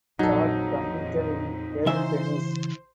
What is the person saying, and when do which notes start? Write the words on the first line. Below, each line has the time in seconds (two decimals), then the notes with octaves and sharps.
Chad competed in table tennis.
0.19 A#1 F2 F#3 D#4 A4
1.86 C#3 E3 C5 E5